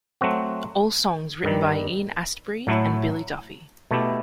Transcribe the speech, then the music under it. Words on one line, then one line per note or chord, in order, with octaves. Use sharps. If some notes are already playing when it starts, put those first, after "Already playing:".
All songs written by Ian Astbury and Billy Duffy.
F#3 A3 C4 F#4
G2 D#3 G3
A2 F#3 A3 E4
B2 A3 E4 G4